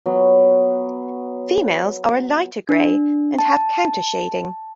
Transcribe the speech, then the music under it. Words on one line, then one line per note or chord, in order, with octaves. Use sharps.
Females are a lighter gray and have countershading.
F#3 B3
D4
A5